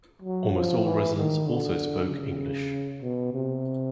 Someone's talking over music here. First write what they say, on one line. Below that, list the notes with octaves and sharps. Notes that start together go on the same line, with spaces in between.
Almost all residents also spoke English.
F#3
F3
E3
D#3
D3
C#3
B2
C3